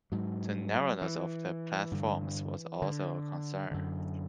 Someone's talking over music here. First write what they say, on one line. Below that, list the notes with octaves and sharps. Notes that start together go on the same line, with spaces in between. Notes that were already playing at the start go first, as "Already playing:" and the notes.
The narrowness of the platforms was also a concern.
G#2 F#3
E3
G2 D3
D3
F#2 D3